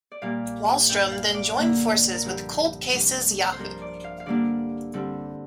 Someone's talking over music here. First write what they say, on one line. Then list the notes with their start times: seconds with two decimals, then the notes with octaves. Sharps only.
Wahlstrom then joined forces with the Cold Cases Yahoo!
0.12 D5
0.22 A#2 G3 A#3 F5
0.89 G2 G3 D4 G5
1.12 F5
1.34 D5
1.57 D3 A#3 D4
2.13 A#4
2.23 G2 D3 F3 G4
2.92 F2 C3 G3 D4
3.53 C5
3.59 G2 F3 D4 A#4
3.82 D5
4.04 F5
4.20 F5
4.26 D3 G3 A#3 D4 D5
4.94 D3 G3 C4